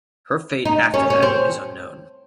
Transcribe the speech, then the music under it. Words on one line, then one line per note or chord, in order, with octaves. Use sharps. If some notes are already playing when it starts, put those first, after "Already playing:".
Her fate after that is unknown.
D#4
C#4
C#4
C4